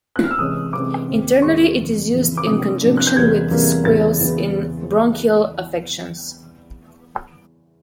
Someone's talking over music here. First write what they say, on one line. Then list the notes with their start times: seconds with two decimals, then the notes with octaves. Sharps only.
Internally it is used in conjunction with squills in bronchial affections.
0.16 F#6
0.24 F6
0.31 E6
0.38 C3 E3 G#3 C#4 D#6
0.73 C3 E3 G#3 C#4 D6
1.08 D#2 D#3 G#3 C4
1.42 D#2 D#3 G#3 C4 C#6
1.77 F2 C#3 E3
2.12 F2 C#3 E3
2.37 D6
2.46 C3 F3 A#3 D4 D#6
2.81 C3 F3 A#3 D4
2.97 F#6
3.07 G6
3.16 E2 C3 E3 G3 A#3 G#6
3.51 E2 C3 E3 G3 A#3
3.85 E2 C#3 E3 A6
4.20 E2 C#3 E3